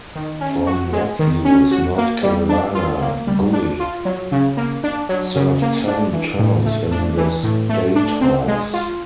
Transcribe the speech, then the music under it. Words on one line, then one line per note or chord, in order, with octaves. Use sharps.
From Matthews, North Carolina, Gulley served seven terms in the state House.
D#3
C#4
F#4
G#3
D#3
C#4
F#4
A#3
G3
D4
F4
A#3
G3
D4
F4
F#3
C#3
A#3
D4
F#3
C#3
A#3
D4
E3
A2
A3
D4
E3
A2
A3
D4
C4
G#3
F4